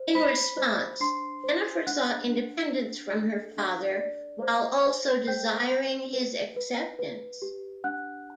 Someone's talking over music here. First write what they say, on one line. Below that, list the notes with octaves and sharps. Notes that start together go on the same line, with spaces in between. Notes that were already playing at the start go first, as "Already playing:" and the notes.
In response, Jennifer sought independence from her father, while also desiring his acceptance.
Already playing: C5
C5 B5 B6
C5
D4 C6 C7
C5
D4 F#5 F#6
D4
D4
A4
D4
D5
C5
C5
C5 G5 G6
C5
B4
B4
B4
G4
D4 F#5 F#6